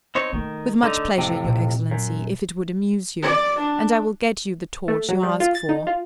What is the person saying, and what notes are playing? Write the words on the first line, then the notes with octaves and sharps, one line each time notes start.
With much pleasure, your excellency, if it would amuse you; and I will get you the torch you ask for.
C4 D#4 C#5
D#3 A3
D3 D#4
F2 A2 C3
A#2
F#2
D5
D4
A3
F#3
G3
F4
A6
D#4
F4